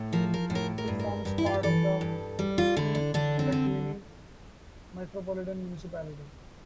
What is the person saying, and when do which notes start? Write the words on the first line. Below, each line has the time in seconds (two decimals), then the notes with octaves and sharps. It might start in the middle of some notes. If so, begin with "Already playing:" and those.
It forms part of the eThekwini Metropolitan Municipality.
Already playing: A2
0.13 F3 A#4
0.34 A#4
0.50 A2
0.55 A#4
0.78 A#4
0.88 G2
0.99 A#4
1.25 G2
1.38 E4
1.46 F4
1.54 G4
1.63 E3 A4
2.01 G2
2.39 G3
2.58 F4
2.77 D3 E4
2.95 D4
3.14 D3 D4
3.39 C4
3.52 D3